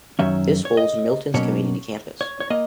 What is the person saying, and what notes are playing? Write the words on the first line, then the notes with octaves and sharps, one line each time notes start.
This holds Milton's Community Campus.
F#2 D#3 F#3 C#4 E5
C#5
D#5
B2 F#3 A#3 C#4 C#5
C#5
C#5
A#3 D#5